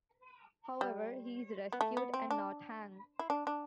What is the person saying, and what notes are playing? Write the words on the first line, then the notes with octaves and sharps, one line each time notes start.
However, he is rescued and not hanged.
G3
B3
A3
B3
C4
D4
E4
D4
D4